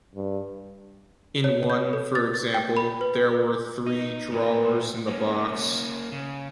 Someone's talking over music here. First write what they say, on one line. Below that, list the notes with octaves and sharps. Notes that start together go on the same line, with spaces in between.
In one, for example, there were three drawers in the box.
G2
C#5
G6
A4
A6
A6
G5
B5
B4
D#4
A2 B4
A#3 C#4
C#3